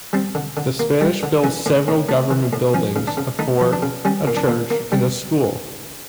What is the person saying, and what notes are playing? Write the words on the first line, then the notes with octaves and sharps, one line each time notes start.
The Spanish built several government buildings, a fort, a church and a school.
G3 C4
D3
D3
A#3
G3
D3
E3 C#4
A2
A2
A3
E3
A2
F3 C#4
C#3
D4
C#3
A3 D#4
F3
D4
C#3
G3 C#4
A#2
D4
A#2
A#3
G3